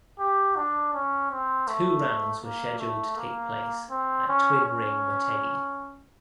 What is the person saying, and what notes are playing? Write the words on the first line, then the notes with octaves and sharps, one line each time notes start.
Two rounds were scheduled to take place at Twin Ring Motegi.
G4
D4
C#4
C4
A3
A#3
A3
A#3
C4
C#4
C#4